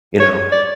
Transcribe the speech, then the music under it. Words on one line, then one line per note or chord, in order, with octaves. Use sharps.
You know,
C#5
D5